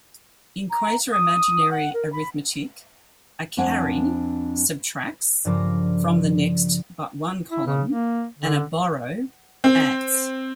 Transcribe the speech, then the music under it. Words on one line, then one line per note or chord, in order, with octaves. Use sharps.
In quater-imaginary arithmetic, a "carry" "subtracts" from the next-but-one column, and a "borrow" "adds".
A#5
D#6
F#5
A#4
B5
F2 C4 D4 F#5 G#5
G2 C#3 F3 A#4 D6 A#6
E4
C#3
A#3
D3
C4